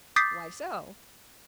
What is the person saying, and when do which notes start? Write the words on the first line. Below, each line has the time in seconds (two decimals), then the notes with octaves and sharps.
"Why so?"
0.16 D6 D#6 G6 A6 B6 C7